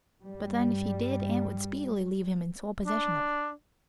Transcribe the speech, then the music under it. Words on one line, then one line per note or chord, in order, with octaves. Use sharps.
But then if he did, Aunt would speedily leave him in sole possession of it.
G2 G3
D4